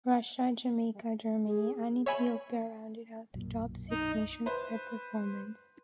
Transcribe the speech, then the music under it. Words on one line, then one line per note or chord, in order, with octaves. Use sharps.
Russia, Jamaica, Germany and Ethiopia rounded out the top six nations by performance.
G#4
C#5 E5 G#5 B5
B1 F#2 A#2
D#4
B4 C5